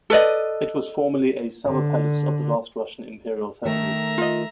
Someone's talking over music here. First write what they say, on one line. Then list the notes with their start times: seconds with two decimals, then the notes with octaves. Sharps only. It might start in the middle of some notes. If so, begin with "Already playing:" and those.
It was formerly a summer palace of the last Russian Imperial family.
0.10 A4 B4 D5 D#5
1.67 D3
3.65 D#3 A3 A#4 E5 A#5
4.18 F4 D#5